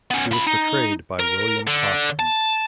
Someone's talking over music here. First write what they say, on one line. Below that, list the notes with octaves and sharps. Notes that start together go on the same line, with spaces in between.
He was portrayed by William Cochran.
B3 C#4
F3 B5
D#4
A#4
D3
A5